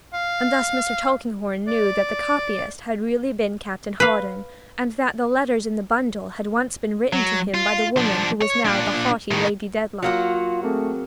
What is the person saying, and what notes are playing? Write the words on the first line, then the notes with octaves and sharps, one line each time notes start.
And thus Mr. Tulkinghorn knew that the copyist had really been Captain Hawdon and that the letters in the bundle had once been written to him by the woman who was now the haughty Lady Dedlock.
F5
D5
B4 F5
F#3
F4
F3 D4
C#5
A#2 D4
A2 D#3
F#3 A#3 F4 F#4
A3 C4 G#4 A#4